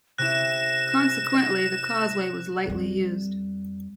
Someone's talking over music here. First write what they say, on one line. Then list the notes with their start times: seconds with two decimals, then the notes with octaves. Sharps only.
Consequently, the causeway was lightly used.
0.18 C3 C#4 E4 F#6 A#6 E7
2.66 F2 G3